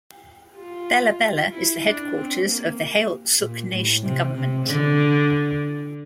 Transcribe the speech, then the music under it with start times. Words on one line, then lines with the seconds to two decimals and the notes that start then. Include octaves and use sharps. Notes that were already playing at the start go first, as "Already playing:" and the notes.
Bella Bella is the headquarters of the Heiltsuk Nation government.
0.58 F4
1.52 E4
1.83 D4
2.14 C4
2.46 A#3
3.40 A#2
3.71 A2
4.03 C3
4.34 C3
4.65 D3